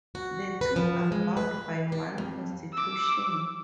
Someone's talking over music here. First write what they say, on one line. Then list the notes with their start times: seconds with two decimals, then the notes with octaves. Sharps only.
The two are bound by one constitution.
0.15 F#4
0.61 B4
0.76 F3
1.12 G#3
1.37 B4
1.92 G4
2.18 F2
2.73 D6 E6